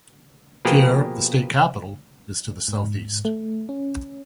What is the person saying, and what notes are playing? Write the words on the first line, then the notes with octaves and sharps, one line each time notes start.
Pierre, the state capital, is to the southeast.
B2 F3 A#3 G4 G#4 B4
G#2
A3
C#4